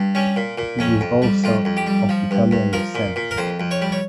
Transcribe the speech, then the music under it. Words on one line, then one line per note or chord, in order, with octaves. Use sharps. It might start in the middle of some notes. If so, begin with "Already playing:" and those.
He is also of Italian descent.
Already playing: G2
G3 C#4
A#2
A#2
F2 C#4
F2
G3
F2 F4
F2
G4
G3
F3
G2
G2
F3 A#4
A#2
A#2
A#4
F2 C5
F2
C#5
G3
C#5